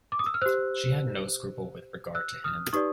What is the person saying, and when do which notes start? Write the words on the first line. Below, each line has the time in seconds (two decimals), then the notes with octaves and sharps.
She had no scruple with regard to him.
0.12 D6
0.19 D#6
0.26 E6
0.34 F6
0.42 G4 C5 E6 F#6
2.15 E6 F#6
2.44 D#6 F6
2.73 D#4 G4 B4 D5 C#6 D#6